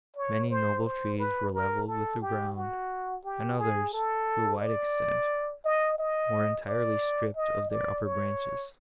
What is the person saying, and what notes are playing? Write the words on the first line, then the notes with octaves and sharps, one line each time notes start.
Many noble trees were levelled with the ground, and others, to a wide extent, were entirely stripped of their upper branches.
C#5
C5
C5
B4
A#4
A4
G4
F#4
G4
G#4
A4
D5
D#5
D#5
D5
D#5
D5
C#5